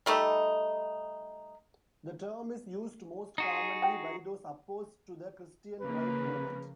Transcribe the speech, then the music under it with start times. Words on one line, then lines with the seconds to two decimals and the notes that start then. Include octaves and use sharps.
The term is used most commonly by those opposed to the Christian Right movement.
0.06 G3 A3 D#4
3.38 D#4 F#4 G#4
3.82 F#5 G5
5.81 C#3 F3 A#3 B4